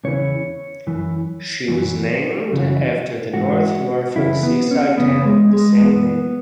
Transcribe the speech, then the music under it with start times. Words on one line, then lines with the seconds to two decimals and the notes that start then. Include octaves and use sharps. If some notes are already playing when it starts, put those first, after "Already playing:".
She was named after the North Norfolk seaside town of the same name.
0.04 E2 C#3 E3 C#5
0.87 F#2 E3
1.68 F#2 E3
2.52 F#2 C#3 E3
3.34 G#2 E3 F#4
4.16 F#2 C#3 E3 E4
4.43 B3
4.71 C#4
4.97 F#2 C#3 E3 B3
5.25 G#3
5.53 G#3
5.80 F#2 E3 B3